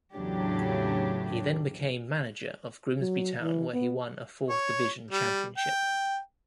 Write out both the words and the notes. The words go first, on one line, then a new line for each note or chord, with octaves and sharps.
He then became manager of Grimsby Town, where he won a Fourth Division championship.
E2 A2 C#3 F#3 D4 G4
F#3
E3
B3
C#5
G3
G5